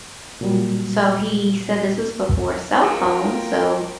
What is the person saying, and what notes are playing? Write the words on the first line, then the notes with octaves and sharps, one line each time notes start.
So he said this was before cell phones, so
A#2 F#3 G3
F#3 F4 A#4 G5